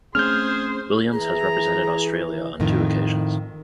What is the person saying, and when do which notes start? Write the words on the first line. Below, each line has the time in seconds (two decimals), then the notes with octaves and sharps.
Williams has represented Australia on two occasions.
0.15 A3 C4 C#4 G#4 C5 C6 F6 G6
1.13 E3 G#4 A#5
2.60 F2 A2 D#3